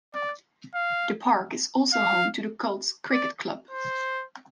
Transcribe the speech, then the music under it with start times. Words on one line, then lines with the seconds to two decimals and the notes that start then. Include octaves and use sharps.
The park is also home to the Cults Cricket Club.
0.15 D5
0.74 F5
1.93 F5
3.11 D5
3.71 C5